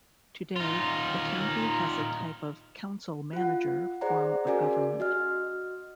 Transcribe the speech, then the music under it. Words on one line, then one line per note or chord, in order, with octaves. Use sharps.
Today the county has a type of council-manager form of government.
D#4 F4
F4 F#5
G#4 C5 D5 F#5 A#5
C#4 F#4 G#4 A#4 D5 G#5
F#4 D#5 F6